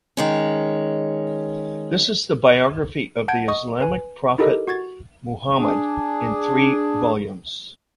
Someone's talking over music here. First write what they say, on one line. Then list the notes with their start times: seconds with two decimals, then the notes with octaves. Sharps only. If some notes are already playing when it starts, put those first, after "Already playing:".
This is the biography of the Islamic prophet Muhammad in three volumes.
0.17 D#3 G#3 C#4
3.28 F#5 A5 G6 G#6 D7
3.48 D#5 C#6 D#6
3.81 B4 G#5
4.38 D#4 E4 G4 A4 A#4 D#5
4.67 F#4 C#6 G#6 A6
5.58 D4 G#4